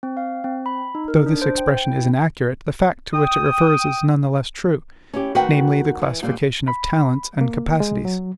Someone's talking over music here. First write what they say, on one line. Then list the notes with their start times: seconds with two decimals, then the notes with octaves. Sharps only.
Though this expression is inaccurate, the fact to which it refers is none the less true; namely, the classification of talents and capacities.
0.03 C4
0.17 F5
0.44 C4
0.66 B5
0.95 D#4
1.08 A#4
1.26 D4
1.42 C5
1.58 G5
1.77 G5
1.90 E4
3.14 G5 D#6
5.13 C#4 E4 G4
5.35 D2 D#3 F#4 A#4 B4 G5
6.02 E3
6.22 F2 A#2 G3
6.68 B5
7.41 A#3
7.80 G#3
8.05 F#3